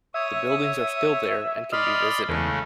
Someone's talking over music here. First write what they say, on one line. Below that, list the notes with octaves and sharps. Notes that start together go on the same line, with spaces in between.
The buildings are still there and can be visited.
C#5 E5 D#6
D5 D#5 B5 C6 F6
E2 C#3 G#3 A3